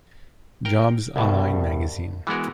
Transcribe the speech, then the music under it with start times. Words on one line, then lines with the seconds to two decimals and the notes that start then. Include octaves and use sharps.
Jobs online magazine.
0.65 A#4 G5
1.16 C2 G2 B2
2.27 E3 G#3 B3 F#4 A#4